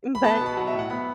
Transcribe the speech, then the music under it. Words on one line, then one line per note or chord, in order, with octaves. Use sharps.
M but
B5
B3 A5
A5
B2
B5
F#3 F#5
E5
A2
F#5
B3 B5